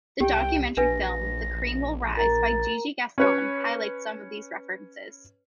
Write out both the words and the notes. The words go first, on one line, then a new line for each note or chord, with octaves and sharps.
The documentary film “The Cream Will Rise” by Gigi Gaston highlights some of these references.
C2 G4 G5
A#1 D4 B4 G#5 A#6
A#4 A#5 A6
C#4 B4 C#5